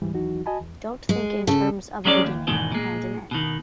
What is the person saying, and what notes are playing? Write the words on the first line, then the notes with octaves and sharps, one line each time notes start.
Don't think in terms of a beginning and an end.
D2 G#2 E3 G3
D#2 E3 F#3 D#4 F#4
F#4 D#5 G#5 A5 B5
E2
G#3
C#3 A4
F#3 G#3 C#4 C5 D5
D#2
E2 G#2 B2 D#3
A#2 G#3
B2 D#3